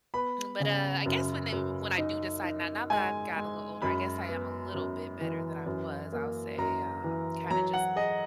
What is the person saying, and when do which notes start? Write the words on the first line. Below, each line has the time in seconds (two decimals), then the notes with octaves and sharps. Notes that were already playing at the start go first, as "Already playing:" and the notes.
Mm, but, uh, I guess when they w when I do decide now now that I've gotten a little older, I guess I am a little bit better than I was, I'll say, um, kinda just
0.14 B3 B5
0.60 C#3
1.06 F#2
1.52 F#2
1.98 D#4
2.44 D#4
2.90 G#3 G#5
3.36 G#3
3.82 F#2 B5
4.29 B3
4.74 F#2
5.21 E3
5.66 F#2
6.12 A#3
6.58 F#2 A#5
7.04 E3
7.51 F#3 A#5
7.74 F#5
7.96 G#4 D#5